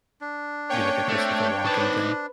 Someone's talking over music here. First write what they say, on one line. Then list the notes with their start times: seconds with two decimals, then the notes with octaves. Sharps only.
be like a Christopher Walken thing.
0.21 D4
0.69 A#3 C#4 C#5 G5
1.09 A3 C4
1.65 D#4 B4 C5 A5